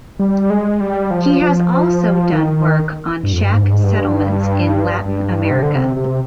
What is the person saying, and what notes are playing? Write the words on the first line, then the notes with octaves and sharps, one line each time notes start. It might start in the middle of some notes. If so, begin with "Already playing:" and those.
He has also done work on shack settlements in Latin America.
G3
G#3
G3
F3
F3
D#3
G2
F2
G2
G#2
G2
G#2
G2
G2
C3
D3
C3
C3